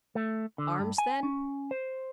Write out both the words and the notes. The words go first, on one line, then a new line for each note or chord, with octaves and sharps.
"Arms, then?"
A3
D3
G2
G#5
C#4
C5